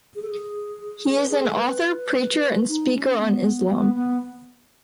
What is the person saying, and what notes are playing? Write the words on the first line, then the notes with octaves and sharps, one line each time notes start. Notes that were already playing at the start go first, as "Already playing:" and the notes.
He is an author, preacher and speaker on Islam.
G#4
A4
G#4
B4
G#4
A4
B4
B4
D#4
C#4
B3
B3
B3